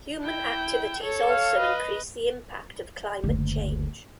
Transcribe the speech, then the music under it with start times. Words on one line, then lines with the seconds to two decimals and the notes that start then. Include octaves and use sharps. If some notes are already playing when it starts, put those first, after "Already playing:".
Human activities also increase the impact of climate change.
0.22 E4 G5
1.00 A4 C#5
1.30 F5
1.59 B4 D#5
3.24 F#1 D2